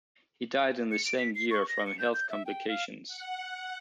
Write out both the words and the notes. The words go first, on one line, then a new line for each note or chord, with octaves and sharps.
He died in the same year from health complications.
C#7
D7
B6
C7
C#6
A#6
C#7
G6
G6
E5
G5
F5
F#5